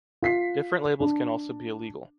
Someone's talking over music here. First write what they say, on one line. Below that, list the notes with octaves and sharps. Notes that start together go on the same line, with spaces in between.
Different labels can also be illegal.
F4 B6 C7
D4